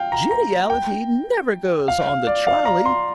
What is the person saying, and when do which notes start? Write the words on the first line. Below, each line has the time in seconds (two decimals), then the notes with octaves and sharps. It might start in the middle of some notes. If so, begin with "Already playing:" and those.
Geniality never goes on the trolley.
Already playing: F5 G5
0.12 A#5
0.31 A#5
0.70 G5
1.88 F5
2.07 F5
2.27 D5
2.47 F5
2.65 A#5
2.86 C6